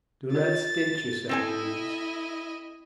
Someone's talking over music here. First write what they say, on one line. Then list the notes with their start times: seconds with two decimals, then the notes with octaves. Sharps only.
Do not stint yourself in these.
0.35 F4 A#4 C#5 A6
1.29 C4 E4 A4 D#5 G#5